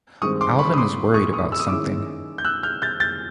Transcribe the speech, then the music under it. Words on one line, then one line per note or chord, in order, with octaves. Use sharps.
Alvyn is worried about something.
G2 D#3 G#3 C4 C#6 D#6
C6 D6
B5 C#6
D#6
C6 D6
C#6 D#6
C#6 D#6
E6
D#6
D#3 G#3 C#4 E4 D6 E6
G6
E6 F#6
F6 G6
G6 A6
G6 A6